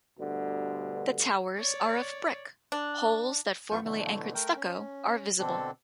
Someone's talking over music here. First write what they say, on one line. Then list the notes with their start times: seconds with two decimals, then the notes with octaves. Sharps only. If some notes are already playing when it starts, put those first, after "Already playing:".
The towers are of brick; holes that formerly anchored stucco are visible.
0.19 D2 G2 B2 D3
1.57 C#5 D5
2.72 D4
3.71 F#2 E3 B3 F4 C#6 G6
3.84 B2 D3 E3 F#3 A3
4.34 A3 A#4 G5
4.56 C#4
5.40 B2 D3 C4 D4 A4